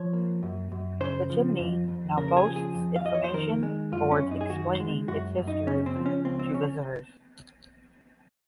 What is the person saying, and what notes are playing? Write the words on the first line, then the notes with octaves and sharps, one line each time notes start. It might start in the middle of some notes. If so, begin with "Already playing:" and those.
The chimney now boasts information boards explaining its history to visitors.
Already playing: F3 C#5
A#3
F#2
F#2
C#3 C5
F3
F2
F2
C#3 A#4
A#4
G#4
F3
G#4
F2
F5
F2 D#5
C#5
C5
D#3 A#4
G#3
F#2 F4
C#4
F#2
D#4
G#4
D#3 F#4
G#3
F#2 F#4
F#2
D#4
C#3 C#4
C4
F3
C#4
C#2 C4
C4
C#4